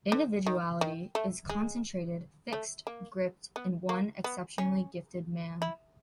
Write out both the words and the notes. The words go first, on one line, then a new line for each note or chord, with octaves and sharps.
Individuality is concentrated, fixed, gripped in one exceptionally gifted man.
D3
D#3
D#3
A3
G#3
A3
A#3
B3
A#3
B3
C#4
E4